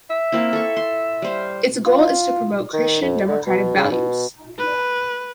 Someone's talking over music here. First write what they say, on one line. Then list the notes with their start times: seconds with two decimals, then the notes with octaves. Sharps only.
Its goal is to promote Christian democratic values.
0.10 E5
0.32 A#3 C4 E4
0.53 A4 C#6
0.77 C6
1.22 G3 C5 F5
1.86 F4
2.73 D#3
3.02 F2
3.28 D3
3.47 B2
3.76 C#3
3.92 B2
4.58 B4